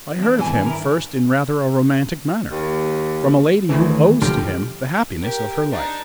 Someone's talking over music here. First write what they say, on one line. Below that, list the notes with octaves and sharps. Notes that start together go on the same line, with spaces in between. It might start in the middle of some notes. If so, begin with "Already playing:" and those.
I heard of him first in rather a romantic manner, from a lady who owes to him the happiness of her life.
E2 D4
G#1 G2 E3 G#5
E4 A#4
D#2
D2 D#3 E3 A3
D3 F3 G4 F6
G4 A#4
D4 D#4